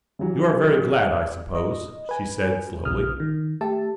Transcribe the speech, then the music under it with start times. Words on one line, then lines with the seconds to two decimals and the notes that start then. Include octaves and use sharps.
"You are very glad, I suppose," she said slowly.
0.19 C#3 E3 F#3
1.55 D#5
2.09 B4 G#5
2.85 A#1 C#3 D#6 F6
3.20 D#3
3.61 A3 G4 E5 A5